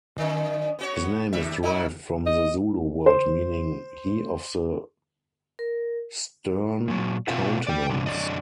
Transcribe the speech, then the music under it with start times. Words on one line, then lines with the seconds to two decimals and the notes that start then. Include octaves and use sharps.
His name is derived from the Zulu word meaning "he of the stern countenance".
0.18 F#2 D3
0.79 B3 F#4 C#5
1.33 D#2 G3 E5
1.63 B2 D#4 E4
2.26 D#5
3.06 C5
5.59 A#4
6.88 A#2 F#3
7.28 B2 C4 F4 C5 E5 F#5
7.67 D5 G5
7.90 G2 C3 D4
8.06 F#2 D3 D5 D#5